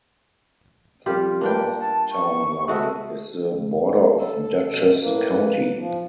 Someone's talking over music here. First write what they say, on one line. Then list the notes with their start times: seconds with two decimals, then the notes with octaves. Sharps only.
The north town line is the border of Dutchess County.
1.06 G3 F4 G4
1.41 A#3 D4 B4 G5
1.79 A5
2.12 C#6
2.68 G#3 F#4 A4 E5
4.17 A4
4.68 B2
5.01 A2 A#3 B4
5.77 F3